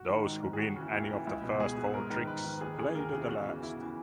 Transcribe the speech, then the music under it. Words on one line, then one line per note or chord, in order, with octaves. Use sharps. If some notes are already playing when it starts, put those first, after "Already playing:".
Those who win any of the first four tricks play to the last.
Already playing: F#4
D#3
G#2
D#3
G#4
D#2 F#4
C#3 E3
D#2 E4
C#3 E3
C#2 E4
B2
C#2 G#4
B2
G#2 A#4
D#3 B4
G#2 B4
D#3
D#2 G#4
C#3 E3 G#4
D#2 A#4
C#3 E3 G#4
E2 F#4
C#3 E3
E2 E4
C#3 E3